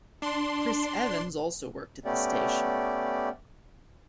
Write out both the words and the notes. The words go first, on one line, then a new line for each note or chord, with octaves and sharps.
Chris Evans also worked at the station.
D4 C6
A3 B3 C#4 G4 D5